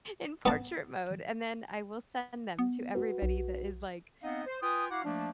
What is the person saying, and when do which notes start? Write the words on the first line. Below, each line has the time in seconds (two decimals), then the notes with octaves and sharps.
in portrait mode, and then I will send them to everybody that is, like,
0.46 B3 A5
2.59 B3
2.95 F#4 B4
3.22 B1
4.23 B3 C4 D#4 D#5 F5 F#5
4.46 C5
4.63 F4 B4 G5 G#5 D#6
4.90 E4 F#4 F5 F#5 D6
5.04 F3 A3 A#3 D4